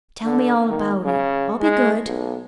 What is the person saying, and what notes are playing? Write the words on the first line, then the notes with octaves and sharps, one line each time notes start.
"Tell me all about it; I'll be good."
D3
D#3
C#3
G#3
B1